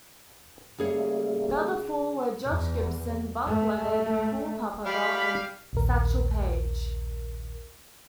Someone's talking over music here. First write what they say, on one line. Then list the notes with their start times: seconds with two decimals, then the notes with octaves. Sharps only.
The other four were Josh Gibson, Buck Leonard, Cool Papa Bell and Satchel Paige.
0.79 C#3 G3 A3 A#3 G#4 C#5
2.46 E2
3.46 A3
4.85 G3 F5 B5
5.73 A#1 D#2 A#4